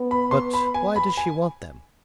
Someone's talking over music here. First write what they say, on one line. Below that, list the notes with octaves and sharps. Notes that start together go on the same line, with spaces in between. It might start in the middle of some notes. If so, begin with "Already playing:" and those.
"But why does she want them?"
Already playing: B3
B5
C6
B5
G#5
B5
G#5